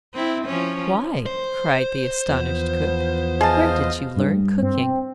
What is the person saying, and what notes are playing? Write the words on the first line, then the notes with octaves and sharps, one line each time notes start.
'Why,' cried the astonished cook, 'where did you learn cooking?
C4 E4
F3 C#4
C5
E2 F3 B3
G#4 D#5 F5 A5
G2
C4